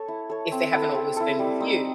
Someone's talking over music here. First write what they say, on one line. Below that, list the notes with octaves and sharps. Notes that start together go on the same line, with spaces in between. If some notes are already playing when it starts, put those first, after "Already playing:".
if they haven't always been with you.
Already playing: A4 C#5
E4
A4 C#5
C4
E4 A4
C4
E4 A4
G3
C4 D#4